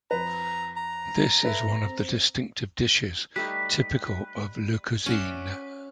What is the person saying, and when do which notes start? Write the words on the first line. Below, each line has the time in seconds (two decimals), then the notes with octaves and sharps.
This is one of the distinctive dishes typical of Lu Cuisine.
0.11 F2 B4 A#5
0.76 A#5
1.43 A4 B4 E5
1.85 C4
3.36 G3 A3 D#4 B4
5.06 C#4 F#4 D5 E5